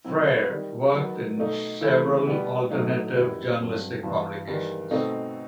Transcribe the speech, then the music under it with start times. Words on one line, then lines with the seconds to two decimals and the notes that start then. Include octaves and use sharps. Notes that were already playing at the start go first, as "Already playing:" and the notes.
Freire worked in several alternative journalistic publications.
0.04 B2 F#3 C4 E4
0.49 D#3 G3 D#4
0.93 D#3 F#3 B3
1.38 B2 A3 D#4
1.81 C3 E3 A3 E4
2.26 B2 G3 B3
2.70 A2 F#3 A3 D#4
3.14 F#2 D#3 G3 B3 E4
3.58 G2 F#3 C4
4.03 G2 E3 B3
4.48 E2 D#3 G3
4.91 B2 A3 C4 D#4